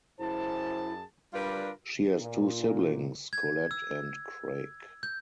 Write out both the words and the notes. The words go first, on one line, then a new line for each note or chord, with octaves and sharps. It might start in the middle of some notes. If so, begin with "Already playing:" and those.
She has two siblings, Colette and Craig.
F#2 E4 G#4 C5 A5
G3 D4 F4 A#4 B4
A#2
G#6
E6
G6